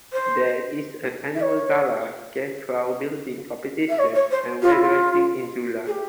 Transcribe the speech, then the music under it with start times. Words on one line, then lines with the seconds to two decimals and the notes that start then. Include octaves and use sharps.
There is an annual gala, scarecrow building competition and well dressing in July.
0.13 C5
1.35 E5
1.42 C#5
3.89 E5
3.99 C#5
4.15 C#5
4.31 C5
4.62 F4
4.72 E4
4.81 F4
5.87 G#4
5.91 G4